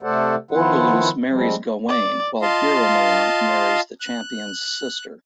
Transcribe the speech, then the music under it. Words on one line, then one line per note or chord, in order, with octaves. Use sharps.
Orgeluse marries Gawain while Guiromelant marries the champion's sister.
C3 A3 A4 C5 D5 F#5
D#3 F3 B3 E4 F4 F#5
F3 G3 G#3 C4
D5
F4 D#5 F5 A5 C6
F#6